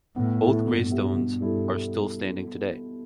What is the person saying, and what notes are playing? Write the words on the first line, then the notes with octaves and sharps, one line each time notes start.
Both gravestones are still standing today.
A2 B3
E4 A4 E5
G2 B2
B3 G4 E5
G2 B2
G3 E4 A4